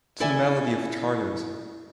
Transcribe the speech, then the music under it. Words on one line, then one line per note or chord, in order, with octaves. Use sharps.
To the melody of Chartres.
E4 A4 D5 E5 G#5